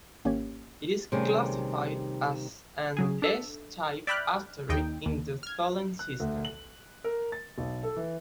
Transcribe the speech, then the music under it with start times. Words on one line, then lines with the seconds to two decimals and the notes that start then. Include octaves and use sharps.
It is classified as an S-type asteroid in the Tholen system.
0.25 G#1 A#3 C#4 G4 C#5 G#6
1.12 C3 D#3 G3 A3 C#4 G#4
2.97 C#3 F#3 G#4
3.22 D4 A4 E5
4.07 D5 E5 G5 B5 F6 F#6
4.69 D#2 D#4 G5
5.06 D#2
5.43 F6 G#6
5.99 F#6
6.20 D2
6.45 F#7
7.04 A#4
7.32 A6
7.58 B1
7.83 A4
7.96 E3